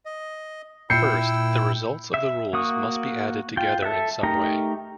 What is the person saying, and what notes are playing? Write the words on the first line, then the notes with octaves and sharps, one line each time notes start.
First, the results of the rules must be added together in some way.
D#5
A#2 E4 G5 E6 G6 C7 C#7
E5
A#3 F#4 D#6
F4 G5
A4 E5
A3 D#4 G4 A#4 A#5